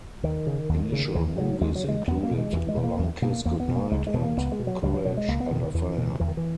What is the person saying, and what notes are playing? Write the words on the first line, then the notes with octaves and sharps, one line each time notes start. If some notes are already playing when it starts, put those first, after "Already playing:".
Initial movies included "The Long Kiss Goodnight" and "Courage Under Fire".
D#2 D#3
C#3
D#2
C#3
D#2 E3
C#3 F#3
D#2 G#3
F#3
C#3 G#3
E2 B3
A#3
B2
G#3
E2 E3
G#3
B2
A#3
E2
B2 A#3
E2 A#3
B3
B2
A#3
C#2 G#3
G#3
B2
A#3
C#2 B3
G#3
B2
F#3
C#2 F#3
F#3
B2 F#3
G#3
C#2 A#3
B3
B2 D#3
D#3
E2 E3
B2
E2 E3
D#3
E3